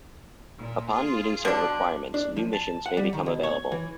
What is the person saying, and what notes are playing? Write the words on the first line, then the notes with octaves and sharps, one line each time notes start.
Upon meeting certain requirements, new missions may become available.
A#2
F4 G#4
B2 F3 D4
D4
F3
A5
F#5
G3
D#3
B2
C#5
E3